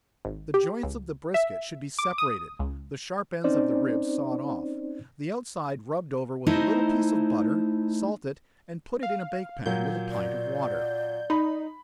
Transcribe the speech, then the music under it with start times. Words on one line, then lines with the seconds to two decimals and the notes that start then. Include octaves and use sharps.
The joints of the brisket should be separated, the sharp ends of the ribs sawed off, the outside rubbed over with a little piece of butter--salt it, and put it in a bake pan, with a pint of water.
0.25 G#1
0.54 G4
0.83 C#2
1.34 E5
1.99 D6
2.18 D#6
2.59 C#2
3.44 C4 C#4 D#4 C5 D5
6.47 A3 D#4 E4 C5 D#5
9.03 F5
9.66 A#2 F#3 G6
10.11 D5
11.30 D#4 B5